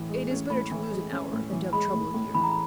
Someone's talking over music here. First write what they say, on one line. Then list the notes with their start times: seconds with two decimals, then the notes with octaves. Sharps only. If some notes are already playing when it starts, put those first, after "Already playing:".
"It is better to lose an hour, than to have trouble here."
Already playing: A2 E3
0.09 G#3
0.31 C#4
0.50 A2 B5
0.71 E3
0.91 G#3
1.12 C#4
1.33 A2
1.52 E3
1.73 G#3 B5
1.94 A2
2.14 A2
2.35 E3 B5
2.44 A#5
2.51 B5